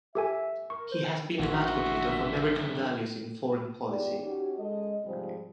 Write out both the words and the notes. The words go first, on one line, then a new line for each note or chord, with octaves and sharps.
He has been an advocate of American values in foreign policy.
G4 A4 E5 G#5
A#4 C#6
C5
A1 D3 F3 F#4 E5
E2 F4 G4 D5
C#4 D#4 F#4 G4
G#3 C#4 A4 D#5
G#2 C3 F3 G3 G#4 C5